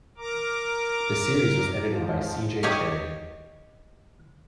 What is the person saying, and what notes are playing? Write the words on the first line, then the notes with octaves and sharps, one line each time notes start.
The series was edited by C. J. Cherryh.
A#4 A#5 D6
G#2 F3
G4 C#5 D#5 F5